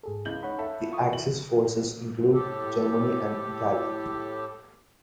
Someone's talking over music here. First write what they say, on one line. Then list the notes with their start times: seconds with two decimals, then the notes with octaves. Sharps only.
The Axis forces include Germany and Italy.
0.03 G#2 G#4 A4
0.25 C#2 E4 G6 F#7
0.43 D#4 C#5 F#5 B5
0.59 A4 E5
0.91 F4 C#6 D#6
1.12 E3 F#7
2.33 A2 G4 A4